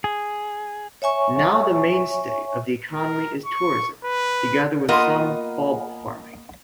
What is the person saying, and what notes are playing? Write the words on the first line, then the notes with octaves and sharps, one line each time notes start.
Now the mainstay of the economy is tourism, together with some bulb farming.
G#4
C#5 E5 G#5 C#6
A#4
C#6
B4
A#3 B3 F4 A#4 D#5 F#5